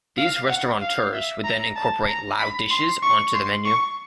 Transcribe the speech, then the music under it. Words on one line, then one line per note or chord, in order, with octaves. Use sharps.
These restaurateurs would then incorporate Lao dishes onto the menu.
F5
F#5
F5
E5
A#5
A5
A#5
B5
C6
C#6
C6
C#6